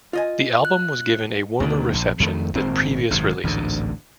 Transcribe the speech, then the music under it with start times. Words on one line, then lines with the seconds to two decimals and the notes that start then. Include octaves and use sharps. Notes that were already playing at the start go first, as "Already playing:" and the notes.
The album was given a warmer reception than previous releases.
0.13 F4 D#5 G#5
0.65 F#6
1.60 D2 B2 D#3
1.94 A#1
2.20 F2 D#3 A3
2.55 G#1 A#2 C4
3.11 G#1 F#2 C3
3.44 A1 D2 G#2 D3